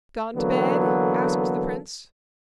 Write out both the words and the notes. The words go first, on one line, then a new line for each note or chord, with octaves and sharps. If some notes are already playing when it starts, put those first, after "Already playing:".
"Gone to bed?" asked the prince.
D3 E3 F#3 A#3 B3 A4